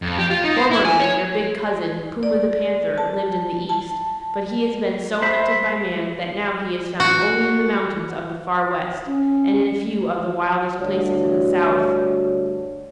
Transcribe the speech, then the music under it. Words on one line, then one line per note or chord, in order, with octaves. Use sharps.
Formerly, their big cousin, Puma the Panther, lived in the East, but he has been so hunted by man that now he is found only in the mountains of the Far West and in a few of the wildest places in the South.
F2
G4
F4
D#4
C5
E4
G#5
C#5
D5
A5
A5
C5 E5 B5
F#4
C#4
D2 G2 D4 F#4 C#5